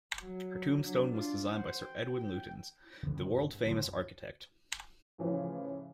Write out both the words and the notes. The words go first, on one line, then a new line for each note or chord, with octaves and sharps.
Her tombstone was designed by Sir Edwin Lutyens, the world-famous architect.
F#3
F#3 D4
D4 F4
C5 F#5
G5
G5
C#3 E3 B3 C#4
F#2 C3 G#3 A3
G#2 C3
G2
F#2 D3 F#3
D2
A2 C#3 E3 F3 C#4